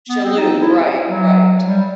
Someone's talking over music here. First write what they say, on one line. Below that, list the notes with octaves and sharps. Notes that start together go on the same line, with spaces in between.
Shalhoub, right, right.
B3
C4
D#4
E4
F#3
G3